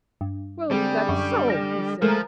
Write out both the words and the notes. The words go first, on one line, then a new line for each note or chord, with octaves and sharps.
"Well, that's so," he said.
G2
D3 G3 G#3 C4 G4 G#4
F#2 C#6
F6 A#6 E7
F3 G#3 A3 A#4